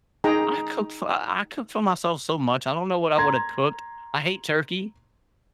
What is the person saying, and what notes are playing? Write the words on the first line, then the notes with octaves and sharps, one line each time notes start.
I cook for I I cook for myself so much, I don't know what I woulda cooked. I hate turkey,
D#4 G#4 G5 A#5
A#5 C6 G#6